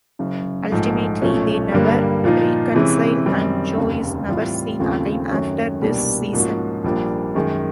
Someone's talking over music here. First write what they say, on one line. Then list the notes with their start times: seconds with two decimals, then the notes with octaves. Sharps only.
Ultimately, they never reconcile and Joe is never seen again after this season.
0.19 F#1 F#2 C#3
0.70 A#1 G#2 F3 A3
1.22 B1 A#2 F3 A3 C#4
1.72 G2 D3 G3 A#3
2.24 A#2 F3 A#3 D#4
2.75 C3 E3 G#3 C#4
3.26 F#2 D#3 G3 C4
3.77 F1 D#2 C#3
4.29 A2 E3 G3 C4 F4
4.79 D#2 C#3 F3 A3 C4
5.30 F#2 D#3 F#3 A3 C#4
5.81 C2 B2 G3 A#3 D4
6.33 G#2 F3 A#3 C#4 F#4
6.84 A#1 A#2 G3 A#3 D4
7.35 F#2 D#3 G#3